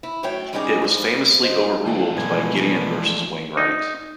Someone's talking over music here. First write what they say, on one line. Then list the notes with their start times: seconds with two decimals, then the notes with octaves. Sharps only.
It was famously overruled by "Gideon versus Wainwright".
0.03 E4
0.23 F#2 A2 C#5 E5 G5
0.53 G3 G#3 C#4 D#4 G#4 D5
0.82 G2 F3
1.43 D#4 F4 C5
1.86 E3 A3 D4 G#4
2.17 D#2 B2 F3 G#3 B4 G#5
3.57 D#4